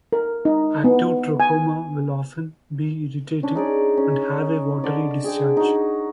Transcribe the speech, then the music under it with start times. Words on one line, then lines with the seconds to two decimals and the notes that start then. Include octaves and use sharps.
Active trachoma will often be irritating and have a watery discharge.
0.13 A#4
0.45 D#4
0.84 B3
1.40 G#5
3.43 C#4 D4
3.55 D#4 G#4 D5
3.97 C#4
4.84 D3 D5
5.24 G#4 G5
5.57 D#4 F#4